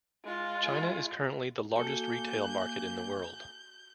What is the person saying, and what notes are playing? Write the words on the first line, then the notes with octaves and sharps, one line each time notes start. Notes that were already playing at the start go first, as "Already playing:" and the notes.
China is currently the largest retail market in the world.
G#3 F4
A#3 F#4 A4 G#5 G6